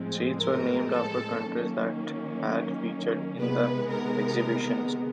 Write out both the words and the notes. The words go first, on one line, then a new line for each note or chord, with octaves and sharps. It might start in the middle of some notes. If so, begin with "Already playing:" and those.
Streets were named after countries that had featured in the exhibitions.
Already playing: A2 F3 G#3 C4
A#4
A4
D#3 F#3 A#3 C#4
C3 D#3 G#3 B3 B4
A#4